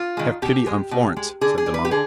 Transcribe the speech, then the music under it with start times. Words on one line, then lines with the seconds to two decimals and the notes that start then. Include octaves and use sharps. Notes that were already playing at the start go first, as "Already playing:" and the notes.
"Have pity on Florence," said the monk.
Already playing: F4
0.17 D#3 G#3
0.42 B2 G4
0.66 G#3
0.91 B2
1.17 G#3
1.41 D3 G#4
1.58 G#4
1.66 G3
1.74 B4
1.85 G4
1.91 D3 G#4